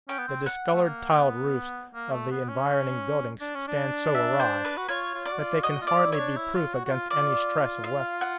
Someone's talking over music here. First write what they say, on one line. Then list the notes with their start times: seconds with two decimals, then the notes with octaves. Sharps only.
The discoloured tiled roofs of the environing buildings stand so awry, that they can hardly be proof against any stress of weather.
0.09 C#4 G5
0.18 B3
0.28 C4
0.46 F#5
0.73 A3
0.84 A#3
1.20 B3
1.94 A#3
2.12 A3
2.31 B3
2.49 C#4
3.41 D4
3.55 C#4
3.68 D4
4.15 E5
4.40 C5
4.65 B4
4.77 F#4
4.88 F4 C#5
5.14 F4
5.26 D5
5.32 F#4
5.38 F4
5.63 F#4 D#5
5.82 F4
5.87 D5
6.00 E4
6.12 C#5
6.19 D4
6.36 E4
6.55 F4
6.74 F#4
6.85 F#4
6.92 F4
7.10 F4 D5
7.84 F5
8.21 F#5